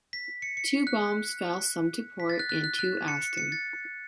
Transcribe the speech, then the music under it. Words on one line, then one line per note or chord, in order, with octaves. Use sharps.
Two bombs fell some to port and two astern.
B6
C#7
C#7
F#6
B6
A6
F#6
F#6
F#6
F#6
C#7
C#7
C#7
A6